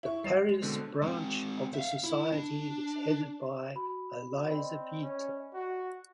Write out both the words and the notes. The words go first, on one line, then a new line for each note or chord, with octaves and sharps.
The Paris branch of the Society is headed by Eliza Pieter.
E4 C#6
G3 C7
G#3
B2 D3 C4
G#3 C4
E5 F5
E4
D4
F#4 B5
C4 D5 D#5 B5
C#4
F#4